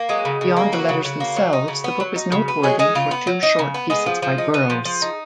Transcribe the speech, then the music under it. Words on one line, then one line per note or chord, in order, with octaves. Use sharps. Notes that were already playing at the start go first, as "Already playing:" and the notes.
Beyond the letters themselves, the book is noteworthy for two short pieces by Burroughs.
Already playing: A#3
F#3 G#3 G#4
C#3
C#3
A#3
F#3 F#4
C#3
C#3 F#4
A#3
F#3
D#4
C#3
B3
F#3
D#4
C#3
B3
F#3 G#3 G#4
G#3 D#4 G#4
C#3 F4
B3
F#3
D#4
C#3
B3
G#3 B3 G#4
F3
F3
D#4
B3
F3
F3
D#4